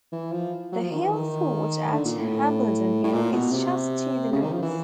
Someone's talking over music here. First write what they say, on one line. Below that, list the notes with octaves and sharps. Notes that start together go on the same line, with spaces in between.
The hill fort at Hambledon Hill is just to the north.
E3
F3
F#3
F3
D#3
E3
D#3
D3
A#2
A2
A2
A#2
B2
C3
C#3
D#3
F3
E3